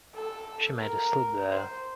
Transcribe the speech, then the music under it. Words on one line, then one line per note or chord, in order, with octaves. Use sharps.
She made a slip there.
A4
A#4
C5